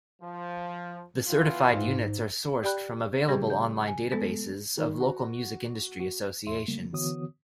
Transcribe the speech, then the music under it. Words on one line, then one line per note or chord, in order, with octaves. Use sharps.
The certified units are sourced from available online databases of local music industry associations.
F3
E3 B3 F4
G#2
G4 D5 G5 B5 F#6
A#2 C#3 G3 C#4 G4 G#4
G6
G#5
G#3 A3 B3 A4
D#3
F#4
F#4
E2 E5 C6
C#3 G3 A3 A#3
D3 E3 B3 F#4 C#5 D#6